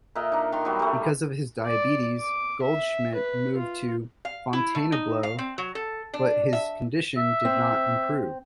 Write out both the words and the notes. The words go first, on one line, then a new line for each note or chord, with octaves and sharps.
Because of his diabetes, Goldschmidt moved to Fontainebleau, but his condition did not improve.
A#2 A#4 D#5 E5
D4 D#4
D#3 A#5 C6
F#3 G3 B3 D#4
G3 A3
D5
D6
E5
B4
F4
F5
E4
A3
D#4
F5
C4
F#3
A4
D4
E5
E5
C4